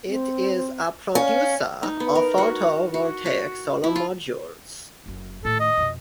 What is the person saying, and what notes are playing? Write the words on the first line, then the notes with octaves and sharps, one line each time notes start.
It is a producer of photovoltaic solar modules.
C4
C#4 F5
D#4
B3
A#4
F#4
F#4
F#4
E4
F4
F#1 F#2
A2 D#3 A4
D#5
F2 B2